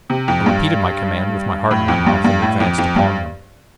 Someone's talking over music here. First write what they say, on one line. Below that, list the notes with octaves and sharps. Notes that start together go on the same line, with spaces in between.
I repeated my command, with my heart in my mouth, and advanced upon them.
C3
F2
G2
A2
F2
G2
G2
A2
F2
F2
G2